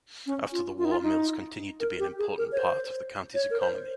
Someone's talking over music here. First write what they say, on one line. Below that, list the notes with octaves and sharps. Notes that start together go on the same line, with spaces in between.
After the war mills continued to be an important part of the county's economy.
C#4
F4
F4
D#4
F4
D#4
A#4
G4
G#4
A#4
C#5
C5
C#5
A#4
C5